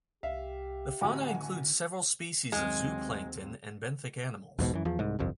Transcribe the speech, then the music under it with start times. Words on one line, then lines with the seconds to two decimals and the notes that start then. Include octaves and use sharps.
The fauna includes several species of zooplankton and benthic animals.
0.23 C2 G4 E5 F5
1.01 A1 D3 F#4 G#5
2.52 D#2 F#3 G#3 C4
4.59 B1 E2 G#2 B2
4.73 F#2 E3
4.85 E2 F3
4.99 C2 G#2
5.19 G1 C2 F2